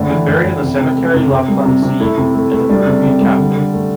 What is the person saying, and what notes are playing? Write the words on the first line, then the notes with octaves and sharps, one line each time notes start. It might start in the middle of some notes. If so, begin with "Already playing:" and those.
He was buried in the Cemetery La Planicie, in the Peruvian capital.
Already playing: A2 D3 D4
E3
A2
A2
C3
C3
A3
C3
C3
G3
C3
C3
A3 E4
C3
A3
A3
G3 D4
C3
C3
G3
D3
D3
A3